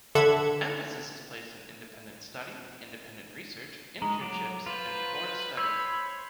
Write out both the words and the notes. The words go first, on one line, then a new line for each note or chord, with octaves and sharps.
Emphasis is placed on independent study, independent research, internships and foreign study.
D3 A4 E5 F#5 G#6
G#3 A#5
F#3 D6
F4 B4 C5
C5 C#5 B5 E6